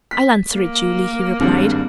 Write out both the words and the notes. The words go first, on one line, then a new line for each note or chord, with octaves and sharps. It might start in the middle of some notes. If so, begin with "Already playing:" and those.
"I'll answer it, Julie," he replied.
B6
A#3
G#1 G2